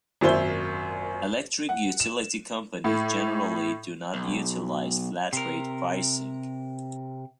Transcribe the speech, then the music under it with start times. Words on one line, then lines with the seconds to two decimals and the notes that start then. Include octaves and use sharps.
Electric utility companies generally do not utilize flat rate pricing.
0.21 G#1 F#2 A#2 C5 E5 G7
1.69 F#5
2.00 E7
2.84 A2
4.14 B1
5.33 C3 A#4